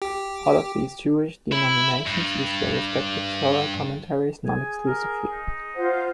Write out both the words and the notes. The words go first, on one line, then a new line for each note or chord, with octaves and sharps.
All of these Jewish denominations use their respective Torah commentaries non-exclusively.
G4
E4
G2
G#4 G#5
A#4
D#4
F4 C5 F#5